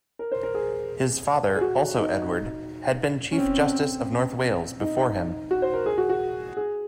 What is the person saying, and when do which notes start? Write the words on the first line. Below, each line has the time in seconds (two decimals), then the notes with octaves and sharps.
His father, also Edward, had been Chief Justice of North Wales before him.
0.19 A#4
0.32 C5
0.43 A#4
0.54 G#4
1.56 G#4
1.61 F#4
1.97 D#4
3.32 C#4
3.38 C4
4.80 D#4
5.51 F#4
5.62 C5
5.74 A#4
5.86 G#4
5.98 F#4
6.10 F#4
6.57 G#4